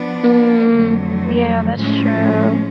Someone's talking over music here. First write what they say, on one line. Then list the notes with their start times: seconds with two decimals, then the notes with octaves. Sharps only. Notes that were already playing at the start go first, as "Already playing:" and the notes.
Mm, yeah, that's true,
Already playing: F3 B3 D4
0.71 F2 D3 F#3 A3
1.77 A2 F3 G#3 C#4